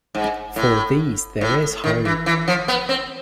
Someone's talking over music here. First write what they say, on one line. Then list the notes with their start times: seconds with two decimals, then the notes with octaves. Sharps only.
For these there is hope.
0.15 G#2
0.56 A2
1.41 A2
1.84 D#3
2.05 E3
2.26 E3
2.48 F3
2.68 B3
2.89 C4